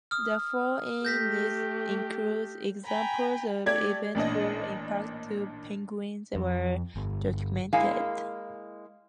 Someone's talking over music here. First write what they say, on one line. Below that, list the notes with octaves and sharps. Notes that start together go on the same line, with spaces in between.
The following list includes examples of events where impacts to penguins were documented.
D#6 F6
A3 G4 G6 A#6 B6
G5 G#5 A#5 B5
A3 G4 D5 G#6
A1 A#2 D4 D#5
F2
G1
G#3 A#3 E4 F5 G#5